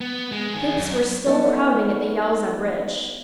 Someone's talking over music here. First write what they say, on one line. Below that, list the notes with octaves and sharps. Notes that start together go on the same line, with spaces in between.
Troops were still crowding at the Yauza bridge.
B3
G#3
D#3 G#4
F#2
B3 D#4 E4 A4